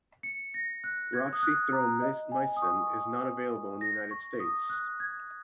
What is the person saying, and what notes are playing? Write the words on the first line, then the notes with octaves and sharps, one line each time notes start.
Roxithromycin is not available in the United States.
C#7
A#6
F#6
G#6
D#6
F#6
A#5
D#5
G#5
D#6
C#6
A#6
C#6
D#6
F#6
G#6